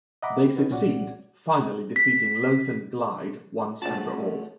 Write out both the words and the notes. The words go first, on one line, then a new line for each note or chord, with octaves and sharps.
They succeed, finally defeating Loath and Glyde once and for all.
D#5 E5 F#5 A#5 B5 D6
A#3 G4
C#4 D#4 F#4 B4
C2 A#2 C#4 F#4 D5 F#5
B6
A#1 A3 C#4 F4 F#4 G#4 A5